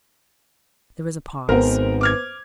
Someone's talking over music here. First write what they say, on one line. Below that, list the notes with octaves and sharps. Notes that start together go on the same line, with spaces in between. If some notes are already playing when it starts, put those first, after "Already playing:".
There was a pause.
G#1 B3 A#4 C5
D6 F6 G#6